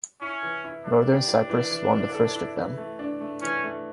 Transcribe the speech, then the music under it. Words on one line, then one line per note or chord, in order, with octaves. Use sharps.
Northern Cyprus won the first of them.
C#4 E4
E3
E4
A3 D4
G4
E3
E3
E3
E3
A4
E4
E3
A3
D4
A3
E3 C#4
A3